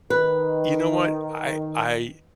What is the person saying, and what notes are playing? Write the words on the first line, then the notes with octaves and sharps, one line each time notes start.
You know what? I I i
D#3 B4